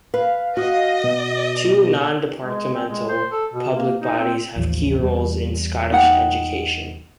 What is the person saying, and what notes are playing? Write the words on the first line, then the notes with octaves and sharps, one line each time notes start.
Two non-departmental public bodies have key roles in Scottish education.
B4 F5
F#4 D#5
B2
G#3
C4
G#3
C5
A4
B2
A#3
D#4
C4
A1 D#2 F3
E2 G3
D#4 F#5 G5